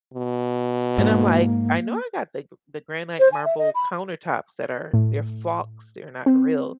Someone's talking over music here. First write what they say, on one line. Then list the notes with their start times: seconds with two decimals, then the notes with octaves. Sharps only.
and I'm like, I know I got the g the granite marble countertops that are they're flocks, they're not real,
0.14 B2
0.98 G#2 A#3
3.19 C5
3.32 G#5
3.45 E5
3.58 D#5
3.75 B5
4.94 A2
6.26 C4